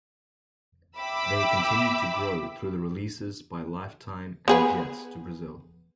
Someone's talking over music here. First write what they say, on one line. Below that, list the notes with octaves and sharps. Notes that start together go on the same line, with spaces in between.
They continued to grow through the releases by Lifetime and Jets to Brazil.
E5 G5 B5 D6 E6 B6
B3 G#4 B4